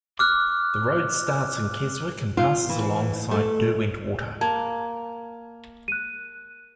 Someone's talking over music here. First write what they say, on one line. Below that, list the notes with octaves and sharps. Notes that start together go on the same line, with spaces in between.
The road starts in Keswick and passes alongside Derwent Water.
D6 F6 F#6
F4
E3
A3
A#3 A5 G#6
F#6 D#7